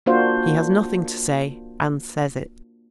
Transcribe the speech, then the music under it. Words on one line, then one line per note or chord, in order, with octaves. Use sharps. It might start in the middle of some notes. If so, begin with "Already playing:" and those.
He has nothing to say and says it.
A#3 D4 F4 F#4 C5 F5